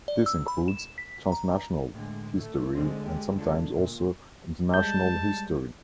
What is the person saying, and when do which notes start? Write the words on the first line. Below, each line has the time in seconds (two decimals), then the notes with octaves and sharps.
This includes "transnational" history and sometimes also international history.
0.08 D5
0.26 E6
0.48 B5
0.68 E7
0.98 B6
1.32 A#5
1.95 A2 D3 G#3
2.35 A3
2.75 D3 G#3 C4 D#4
3.06 G4
3.38 D4 F4 A4
3.75 A#2
4.74 G3 G#3 A5 G6